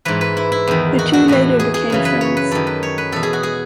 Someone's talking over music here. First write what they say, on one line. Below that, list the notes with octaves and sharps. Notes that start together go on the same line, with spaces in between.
The two later became friends.
G#2 E3 B4
B4
E4
E4
E2 D#3
F#4
F#4
A2 E3 F#4
G#4
G#4
F#2 C#3 E3
B4
C#5
B4
F#2 D#3 A4
B4
C#5
B4
E2 B2 A4
G#4
F#4
G#4